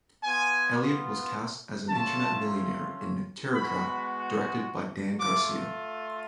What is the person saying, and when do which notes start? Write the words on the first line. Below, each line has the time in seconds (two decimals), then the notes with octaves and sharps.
Elliott was cast as an Internet millionaire in "Terror Trap", directed by Dan Garcia.
0.24 B3 F4 G#5
1.88 A3 C#4 F4 A5
3.53 G#3 B3 F#4 B5
5.18 A3 F4 D6